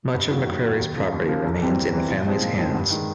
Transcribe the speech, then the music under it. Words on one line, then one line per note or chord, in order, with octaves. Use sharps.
Much of McCrary's property remains in the family's hands.
G2
D#3 F#3 A#3
G2
D#3 F#3 A#3
D#2
C#3 F3 A#3
D#2
C#3 F3 A#3
C2
C3 E3 G3 C4
C2
C3 E3 G3 C4
A#2
F3 G#3 C4 D#4
A#2
F3 G#3 C4 D#4
G2
D#3 G#3